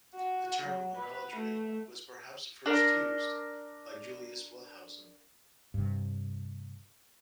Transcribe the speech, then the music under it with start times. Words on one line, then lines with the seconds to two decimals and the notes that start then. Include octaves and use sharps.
The term "monolatry" was perhaps first used by Julius Wellhausen.
0.15 F#4
0.62 F#3
0.96 B4
1.36 A3
2.66 D4 A#4 D5
5.74 G2 C3